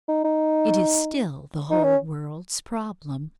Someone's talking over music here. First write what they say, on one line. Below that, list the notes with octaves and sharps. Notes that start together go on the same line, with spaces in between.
It is still the whole world's problem.
D#4
D#4
D#4
C#4